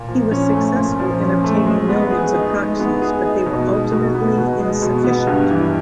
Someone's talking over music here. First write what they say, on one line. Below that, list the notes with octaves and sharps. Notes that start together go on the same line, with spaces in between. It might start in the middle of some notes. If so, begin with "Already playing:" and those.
He was successful in obtaining millions of proxies but they were ultimately insufficient.
Already playing: A#2
F3
C#4
A3
A#2
F3
C#4
A3
G#3
B3
G#4
D#4
G#3
B3
G#4
D#4
B2
G#3
B2
B3
B2
G#3
B2
B3
G2
E3